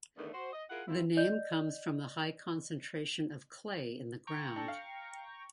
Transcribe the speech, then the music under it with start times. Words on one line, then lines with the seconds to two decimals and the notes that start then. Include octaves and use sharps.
The name comes from the high concentration of clay in the ground.
0.17 E2 D3 D#3 A3 D4
0.33 F#4 C5
0.53 D#5
0.70 E4 F4 G#4 A#4 F#5
0.88 G3 A#3 C4 E4
1.17 D5 D#5 G6
4.27 G5 A#5 C#6
4.56 D4 A4
4.68 F5